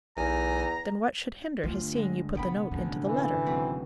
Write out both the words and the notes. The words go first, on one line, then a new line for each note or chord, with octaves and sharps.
"Then what should hinder his seeing you put the note into the letter?"
B1 E2 G#5 A#5
G1 D2 F4
D3 G#3
C3 B3 G5 B5
D2 A2 C3 C#4
E3
G#1 F#3 C4 B4